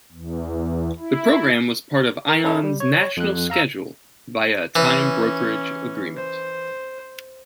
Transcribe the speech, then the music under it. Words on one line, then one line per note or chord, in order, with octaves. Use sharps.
The program was part of Ion's national schedule via a time brokerage agreement.
E2
E4
A#4
C#4 D#4 E4 A4
G3
C#5
F2 F#6
F5 A#5 E6
E3 C#4
C5